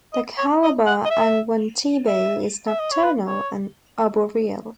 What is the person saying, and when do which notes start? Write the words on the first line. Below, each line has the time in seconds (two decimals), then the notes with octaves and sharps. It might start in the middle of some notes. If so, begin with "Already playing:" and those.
The Calabar angwantibo is nocturnal and arboreal.
0.14 D#5
0.38 C#5
0.63 D#5
0.86 F#5
1.05 D#5
1.10 E5
2.08 E5
2.67 E5
2.80 D#5
2.91 C#5
3.04 B4
3.27 C#5